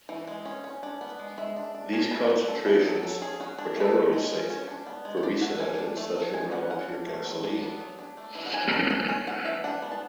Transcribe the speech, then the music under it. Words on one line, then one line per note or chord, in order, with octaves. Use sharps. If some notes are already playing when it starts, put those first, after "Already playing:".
These concentrations are generally safe for recent engines that should run on pure gasoline.
E3
G#3
C#4
C#4
D4
B3
G#3
G#3 E5
D4
D4
C#4 G#4
A3 B4
F#3 B4
D4 A4
B3 E4
F#3 A4
F#3 A4
C#4 G#4
C#4 F#4
D4 G#4
A3 B4
A4
F#3
G#3
C#4
C#4
D4
B3
G#3
C#5
D4 D5
A3 F#5
E3 G#5
D4 A5
A3
F#3
G#3 G#5
G#5
C#4 F#5
C#4 F#5
D4
A3
F#3
D4
B3
F#3
D4
A3
E3
F#5
F#3 G#5
C#4 A5
C#4 G#5
C#4 G#5
A3 F#5
E3 E5
D4 F#5
B3
A5